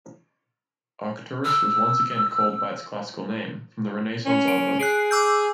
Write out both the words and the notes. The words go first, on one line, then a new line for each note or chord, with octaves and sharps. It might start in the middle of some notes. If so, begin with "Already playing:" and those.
Arcturus was once again called by its classical name from the Renaissance onwards.
E6
C#4
D7
G#4 F#6 C7 D7
D6 E6 G6